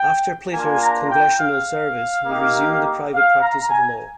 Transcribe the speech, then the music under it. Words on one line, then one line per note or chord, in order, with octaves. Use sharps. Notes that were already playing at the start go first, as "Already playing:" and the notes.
After Plater's congressional service he resumed the private practice of law.
Already playing: G5
A#3 D4 F4 G#5
A#5
G5
F5
A#3 D#4 G4
F5
A#5
G#5